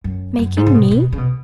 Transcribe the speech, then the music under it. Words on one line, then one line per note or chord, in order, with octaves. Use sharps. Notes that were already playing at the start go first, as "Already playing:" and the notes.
Making me?
F#2
F#2
G#2
C#3
B2
B2
C#3
B2